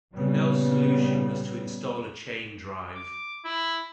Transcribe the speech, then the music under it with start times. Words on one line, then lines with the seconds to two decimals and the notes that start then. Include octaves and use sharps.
Brunel's solution was to install a chain drive.
0.13 A#2 C#3 G3 B3
2.96 D6
3.45 E4